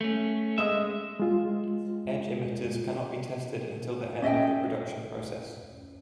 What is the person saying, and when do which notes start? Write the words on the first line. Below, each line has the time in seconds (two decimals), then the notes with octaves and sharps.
Edge-emitters cannot be tested until the end of the production process.
0.01 A3 C#4
0.58 G#3 D#5 E5 D#6
1.20 G#3 F4
4.22 C#4 D#5 E5 G5